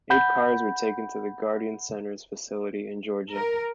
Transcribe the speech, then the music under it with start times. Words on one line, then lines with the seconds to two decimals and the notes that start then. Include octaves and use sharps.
Eight cars were taken to the Guardian Centers facility in Georgia.
0.10 F#5 B5 G6
3.32 A#4